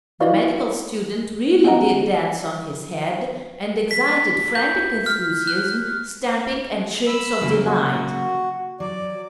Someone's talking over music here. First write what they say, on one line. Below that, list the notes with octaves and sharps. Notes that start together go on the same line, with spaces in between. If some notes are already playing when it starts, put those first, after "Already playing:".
The medical student really did dance on his head, and excited frantic enthusiasm, stamping, and shrieks of delight.
E4 F#4 B4 D5 D#5 F5
E4 D5
B3 C#4 G4 D#5 F#5 A#5
B6
G6
F6
F#6
B5 E6
C#3 F#3 A#3
F#4
F#3 D5